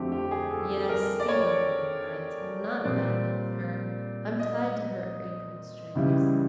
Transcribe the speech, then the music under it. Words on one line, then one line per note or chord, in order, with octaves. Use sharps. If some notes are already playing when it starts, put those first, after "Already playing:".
Yes, Stiva may be right, I'm not manly with her, I'm tied to her apron-strings....
Already playing: F2 D3 F3 A3 C4 F#4 G4
G4
G#4
A4
A#4
D5
C#5
A#2 G3 C4 D5
D#5
C#2 C#3 E3 G3